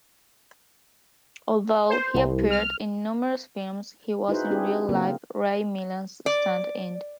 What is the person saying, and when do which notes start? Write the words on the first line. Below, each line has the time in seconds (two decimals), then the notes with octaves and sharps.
Although he appeared in numerous films, he was in real-life Ray Milland's stand-in.
1.90 C5
2.14 C2
2.51 F6
4.28 D#4 E4 F#4 G#4 B4 C5
4.50 C4 D4 E4 G4 G#4
4.89 C#3 F#3 A#3 C4 A#4
6.26 D5